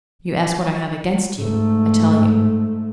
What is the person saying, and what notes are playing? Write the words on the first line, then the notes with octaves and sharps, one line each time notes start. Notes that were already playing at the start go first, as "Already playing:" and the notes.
You ask what I have against you; I tell you.
G#2 A3